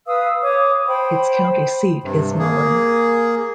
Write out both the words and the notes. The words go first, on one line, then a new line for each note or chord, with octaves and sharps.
Its county seat is Mullen.
B4 F5 D#6 E6
C#5 D6 D#6
C5 G5 B5
G2 C3
A#3 G#4